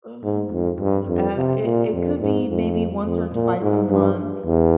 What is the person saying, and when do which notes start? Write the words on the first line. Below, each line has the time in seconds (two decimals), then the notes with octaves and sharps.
Um, uh, it it could be maybe once or twice a month,
0.24 G#2
0.52 F2
0.80 G2
1.08 F2
1.36 C3
1.64 A#2
1.93 F2
2.21 G#2
2.49 F2
3.05 F2
3.33 A#2
3.62 G#2
3.90 G2
4.46 E2